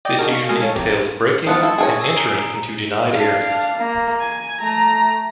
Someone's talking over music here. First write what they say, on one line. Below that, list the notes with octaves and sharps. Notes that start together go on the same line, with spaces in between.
This usually entails breaking and entering into denied areas.
D5 D#5 G5
D4 D#4 F#4 G#4 A#4
F5 C#6 A#6
G#3 A4 A#4 D#5 F5 G#5
A4 C#5
F2 G4 A#5
F3 B3 F4 D#6 A6 C#7
E4 A4
G#4 A4 C#5 G#5
G#5 E6 C7
G#5 A#5 D7
A#5 G7
D4 F5
A#3
G#5
A3 A#5